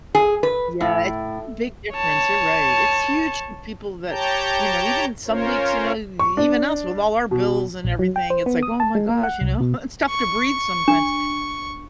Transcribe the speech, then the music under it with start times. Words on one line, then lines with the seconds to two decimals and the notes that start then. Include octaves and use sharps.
Yeah, it's a big difference, you're right. It's huge to people that, you know, even some weeks, you know, e even us with all our bills and everything, it's like, "Oh my gosh," you know? It's tough to breathe sometimes.
0.15 G#4
0.43 B4
0.81 A2
1.94 C#5 A5
4.10 G4 C#5 G5 A5 A#5 G6
5.26 C#4 F4 A#4 C5 C#5
6.19 C#6
6.37 D4
7.31 B2
7.84 A#1
7.99 F#3
8.16 G5
8.30 C5
8.46 B3
8.63 D#6
8.80 A5
8.95 G#3
9.09 A#3
9.23 F#5
9.41 C2
9.60 B2
10.09 C#6
10.88 D4